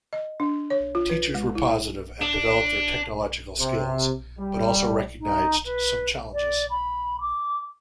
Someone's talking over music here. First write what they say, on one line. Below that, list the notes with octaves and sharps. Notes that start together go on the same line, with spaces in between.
Teachers were positive and developed their technological skills, but also recognized some challenges.
D#5
D4
C#5
F4
B4
G#3
E4
D4
C3
G3
D#4
B4
D5
B5
D6